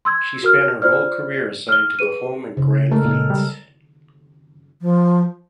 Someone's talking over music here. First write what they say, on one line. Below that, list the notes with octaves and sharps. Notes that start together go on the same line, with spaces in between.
She spent her whole career assigned to the Home and Grand Fleets.
C6 E6 G#6
F#4 A#4 F6
F4 C5 D5 F6
F6 G7
G#4 B4 D#7
C#3
G#3 A3 A4 A#4
A#2
G3
F3